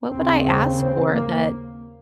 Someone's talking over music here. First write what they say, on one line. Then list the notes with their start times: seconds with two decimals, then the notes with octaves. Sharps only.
what would I ask for that
0.11 D#2 C#3 C4
0.45 C4
0.79 C4
1.13 A#3